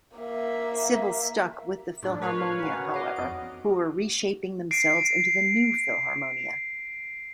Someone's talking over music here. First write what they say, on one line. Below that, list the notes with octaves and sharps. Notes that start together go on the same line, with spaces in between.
Civil stuck with the Philharmonia however, who were reshaping themselves into the New Philharmonia.
A#3 E5
A2 D4
A#4 B4 C#5 F5
C#4 F#4
D5 D#5 F5
F2 D7
C7 D7